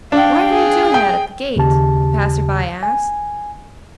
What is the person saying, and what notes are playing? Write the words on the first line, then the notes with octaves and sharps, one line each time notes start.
"Why are you doing that at the gate?" a passer-by asked.
D4 F5 G5
G#4
G5
D#2 C#3 G4 A5
G#5